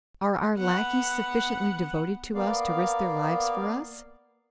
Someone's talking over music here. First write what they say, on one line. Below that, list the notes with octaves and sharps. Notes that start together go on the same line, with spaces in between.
Are our lackeys sufficiently devoted to us to risk their lives for us?
B3 F#5
A#3 B3 D5 F5